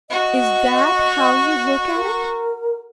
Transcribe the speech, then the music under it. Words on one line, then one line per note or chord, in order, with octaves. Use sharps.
Is that how you look at it?
F#4 D#5 C#6
A#4